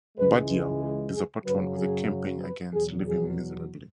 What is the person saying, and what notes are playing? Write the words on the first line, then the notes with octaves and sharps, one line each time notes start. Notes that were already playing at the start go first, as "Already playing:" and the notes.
Baddiel is a patron of the "Campaign Against Living Miserably".
C#2 C#3 E3 G#3 B4
B4
G#4
G#4
F#2 C#3 F#3 B4
G#4
B4
E2 B2 F#3 G#4
G#4